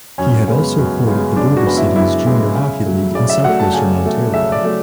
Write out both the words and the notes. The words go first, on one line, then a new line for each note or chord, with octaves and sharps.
He had also courted the Border Cities Junior Hockey League in Southwestern Ontario.
F#2 C#4
C#3 G#3 B3
F#2
C#3 G#3 B3
F#2 D4
F#4
C#3 G#3 B3
E4
F#2 E4
C#3 G#3 B3
C#3
F#3 A3
C#3 D5
E5
F#3 A3 F#5
A5
C#3 G#5
F#3 A3
C#3 E5
D5
F#3 A3